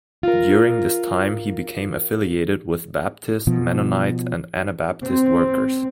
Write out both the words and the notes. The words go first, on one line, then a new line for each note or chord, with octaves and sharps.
During this time he became affiliated with Baptist, Mennonite and Anabaptist workers.
F4 A#4
B2 F3
C4